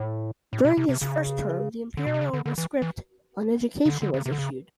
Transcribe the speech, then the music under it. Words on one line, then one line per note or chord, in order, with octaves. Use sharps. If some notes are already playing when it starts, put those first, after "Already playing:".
During his first term, the "Imperial Rescript on Education" was issued.
Already playing: A2
A2
B2
C3
C3
C#3
D3
B2
C3
C#3
D3
D3
E3
E3
C#3
D3
D3
C#3
C3
D3
C#3